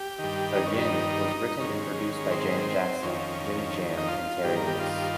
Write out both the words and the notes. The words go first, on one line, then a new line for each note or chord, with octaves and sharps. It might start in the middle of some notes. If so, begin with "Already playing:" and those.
"Again" was written and produced by Janet Jackson, Jimmy Jam and Terry Lewis.
Already playing: G4
G2 D#3
D#4
C#4
D#4
G#2 D#3 C#4
C4
F2 D#3 C#4
D#4
F4
G2 D#3 G4
A#4
G4
F4